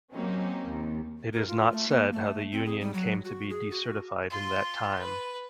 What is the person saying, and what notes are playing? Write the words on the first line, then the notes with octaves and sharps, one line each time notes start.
It is not said how the union came to be decertified in that time.
F#3 A#3 C4 C#4 D#4 G4
D#2
A#4
F4
A3
A#3
A3
C4
G#4
G3
F#3
F#4
G#4
F#4
F4 C6
B4